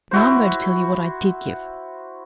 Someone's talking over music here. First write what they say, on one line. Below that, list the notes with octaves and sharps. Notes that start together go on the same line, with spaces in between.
Now I'm going to tell you what I did give.
E4 F#4 C5